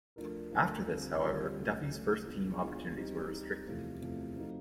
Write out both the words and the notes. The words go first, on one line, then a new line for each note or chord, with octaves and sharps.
After this, however, Duffy's first team opportunities were restricted.
F3 A3 D4 F4 A#4
F3 A3 D4 F4 A#4
D3 G3 C4 F4 A4
D3 G3 C4 F4 A4
C#3 F#3 A3
C#3 F#3 A3
G#3 B3 D4 F4
G#3 B3 D4 F4
G3 C4 D#4 G4
G3 C4 D#4 G4
E2 C3 F3 A3
E2 C3 F3 A3
F3 A3 C4 D#4 F#4